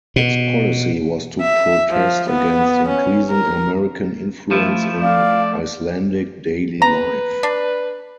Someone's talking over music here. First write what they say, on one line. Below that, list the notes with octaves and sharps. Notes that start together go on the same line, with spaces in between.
Its policy was to protest against increasing American influence in Icelandic daily life.
B2
E5
F3
B3
C#4
A#4
F3 A3 E4
D5 F5
B4 A#5
D4